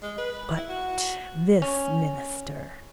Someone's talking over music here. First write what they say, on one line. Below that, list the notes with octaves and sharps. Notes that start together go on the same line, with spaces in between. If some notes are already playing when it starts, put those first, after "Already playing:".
But this minister.
G#3
B4
E4
F#4
C#4